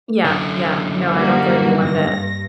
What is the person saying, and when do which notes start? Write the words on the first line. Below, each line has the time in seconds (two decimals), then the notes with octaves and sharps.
Yeah, yeah, no, I don't blame you one bit.
0.25 F#2 D3
1.12 G3 A#3 F#4
1.85 G2 A#6